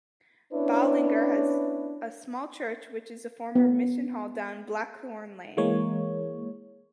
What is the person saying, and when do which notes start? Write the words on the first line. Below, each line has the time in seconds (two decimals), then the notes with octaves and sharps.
Ballinger has a small church which is a former Mission Hall, down Blackthorne Lane.
0.53 B3 C#4 D4 E4 B4 C#5
3.55 B3
5.57 E3 G#3 A#3 C#5